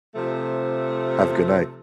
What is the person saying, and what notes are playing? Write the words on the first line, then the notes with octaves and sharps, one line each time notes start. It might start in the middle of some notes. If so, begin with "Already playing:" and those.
Have a good night.
C3 F3 A3